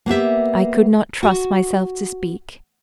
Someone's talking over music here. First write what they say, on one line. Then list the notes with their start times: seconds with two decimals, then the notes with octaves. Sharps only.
I could not trust myself to speak.
0.06 A#3 B3 G4 E5
1.23 F#4